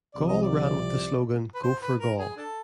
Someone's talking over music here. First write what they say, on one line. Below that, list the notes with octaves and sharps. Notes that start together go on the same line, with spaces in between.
Gaul ran with the slogan Go For Gaul!
C2 C3 F3 D5
D#5
D5
B4
C5
B4
A#4
G#4
D4 A4